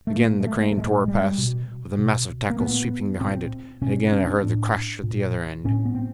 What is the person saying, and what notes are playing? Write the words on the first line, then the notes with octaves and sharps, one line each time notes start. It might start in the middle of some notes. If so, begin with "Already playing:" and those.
Again the crane tore past, with the massive tackle sweeping behind it, and again I heard the crash at the other end.
A3
A#2 A#3
G#3
A3
A3
A#2 G#3
G3
B2
B2
A#3
A#2 B3
A#2 C4
B2 C#4
C#4
D4
A2
A#2
A2 C#4
B3
C4